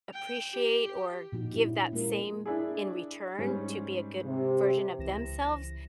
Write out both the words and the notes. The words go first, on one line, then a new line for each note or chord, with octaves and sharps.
appreciate, or give that same in return to be a good version of themselves,
G5
G4
A#2 F3 D#4 F#4
C#4 D4 E4 G4
G#3 A#3 F4 G4 A#4
D4 E4 G#4
G#2 G3 C#4
C3
C#2 E3 A#6 E7